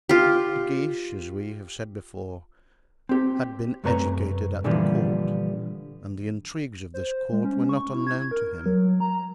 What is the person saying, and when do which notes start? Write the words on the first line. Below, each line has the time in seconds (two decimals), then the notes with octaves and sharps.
De Guiche, as we have said before, had been educated at the court, and the intrigues of this court were not unknown to him.
0.09 F4 G4
3.09 C4 G4
3.84 F#2 C3 A3 B4 C#5 A#5
4.64 A#2 D3 E3 F3 G3 B3
6.94 C5
7.32 G#3
7.44 C#4
7.69 C#6
7.94 E4
8.07 G#6
8.31 A#4
8.66 F#3
9.00 A#5